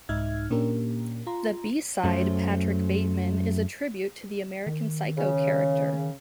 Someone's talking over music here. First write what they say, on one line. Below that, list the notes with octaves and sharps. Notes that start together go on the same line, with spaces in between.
The B-side, "Patrick Bateman", is a "tribute" to the "American Psycho" character.
C2 G#2 D#4 E5 F6 G#6
A#2 A#3 C#4 D4 G4 A#4
F4 A#5 C6
F#2 F#3 A3 C#4 C5
D#3
C#3